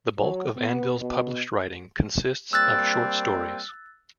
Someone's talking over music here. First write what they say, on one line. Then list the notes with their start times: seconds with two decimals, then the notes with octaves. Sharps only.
The bulk of Anvil's published writing consists of short stories.
0.18 F#3
0.57 B3
0.99 B2
2.53 G3 A#3 C4 E6 F#6 A6